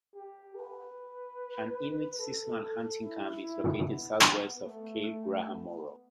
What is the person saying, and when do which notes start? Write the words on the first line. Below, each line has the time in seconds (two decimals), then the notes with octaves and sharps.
An Inuit seasonal hunting camp is located southwest of Cape Graham Moore.
0.15 G4
0.56 B4
2.19 A4
3.01 E4
3.43 E4
3.84 B3
4.66 A3
5.49 B3